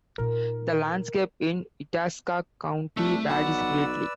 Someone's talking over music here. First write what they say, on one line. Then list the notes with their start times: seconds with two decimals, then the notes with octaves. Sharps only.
The landscape in Itasca County varies greatly.
0.18 A#2 D#4 A#4
2.97 C2 A3 D4
3.30 B1 B4 D5 F#5 E6